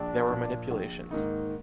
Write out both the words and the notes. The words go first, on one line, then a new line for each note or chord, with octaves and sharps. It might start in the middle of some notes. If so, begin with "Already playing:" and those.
There were manipulations.
Already playing: A#1 D4
A#2 F3
A#1
G#2 D#3 A#3 D#4